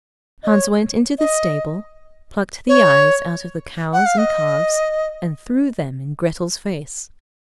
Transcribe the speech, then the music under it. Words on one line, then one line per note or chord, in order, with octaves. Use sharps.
Hans went into the stable, plucked the eyes out of the cows and calves, and threw them in Grettel's face.
D#5
C#5
D#5
C#5
F#5
F5
D#5